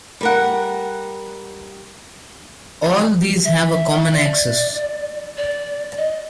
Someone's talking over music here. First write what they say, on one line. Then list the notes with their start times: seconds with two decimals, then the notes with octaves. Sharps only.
All these have a common axis.
0.21 G3 A#4 F#5
3.45 E5
3.72 E5
4.13 D5
5.37 D5
5.97 D#5